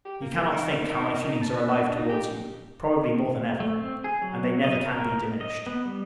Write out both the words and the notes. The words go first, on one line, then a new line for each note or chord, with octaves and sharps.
You cannot think how my feelings are alive towards you; probably, more than ever: and they never can be diminished.
G4
A#3
A#3
D#3
D#3
D#4
A5
B4
D4
D#4
G4
A3
C4
G#4
F#3
D#5
A#4
D#5
B3
G3